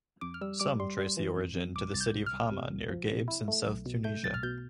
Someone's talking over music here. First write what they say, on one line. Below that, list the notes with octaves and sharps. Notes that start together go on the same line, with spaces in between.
Some trace the origin to the City of Hamma near Gabes in South Tunisia.
F2 D6
F6
G3 E6
G3 D6
G3 C6
G3
E3
F2
F2
C2 D6
C2 A6
G6
C2
F6
C2
C3
C2
F3
C3
E4
A3
B1
B2
A3 G6
B1 A6
F6
B2 G6